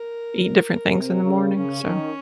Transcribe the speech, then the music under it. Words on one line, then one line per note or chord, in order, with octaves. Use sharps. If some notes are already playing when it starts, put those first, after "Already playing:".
eat different things in the morning. So.
Already playing: A#4
C3
C#3
C#3 C#4
D#3